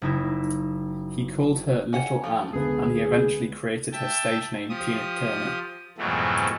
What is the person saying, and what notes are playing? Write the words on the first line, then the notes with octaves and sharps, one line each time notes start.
He called her "Little Ann" and he eventually created her stage name Tina Turner.
F#1 D#4 E4
C#4 F#5
F3 A3
C#2 D3 B3 G#4
E5 G5 A5
F3 G4 D#6
F2 G#2 B2 E3 F#3 A3